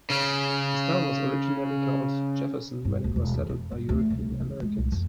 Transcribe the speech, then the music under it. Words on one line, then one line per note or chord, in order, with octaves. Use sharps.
This town was originally called Jefferson when it was settled by European Americans.
C#3 C#4
G2
D1
E1
E2
F2
G2
D2
C2
E3
G#3
C2
F2